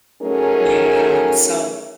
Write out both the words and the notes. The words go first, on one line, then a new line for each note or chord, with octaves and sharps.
Yeah, so
F#3 A3 C#4 D#4 G#4 A#4